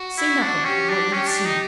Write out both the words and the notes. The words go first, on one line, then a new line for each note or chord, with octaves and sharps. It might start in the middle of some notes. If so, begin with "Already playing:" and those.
Say nothing of what we've seen.
Already playing: F#4
E4
D4
C#4 G4
D4
C#4 G4
D4
D#4